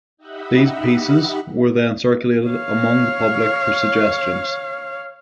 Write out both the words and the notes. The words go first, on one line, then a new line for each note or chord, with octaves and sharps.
These pieces were then circulated among the public for suggestions.
D#4 G4 D#5 E5 F#5 B5
C#5 F5